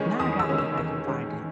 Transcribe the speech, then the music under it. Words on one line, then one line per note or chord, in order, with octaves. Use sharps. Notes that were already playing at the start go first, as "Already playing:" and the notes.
Now I gotta go back and find it.
Already playing: E2 D#3 G#3 C#4 C#6
E2 D#6
E6
D#3 G#3 C#4
E6
E2 E6
D#3 G#3 C#4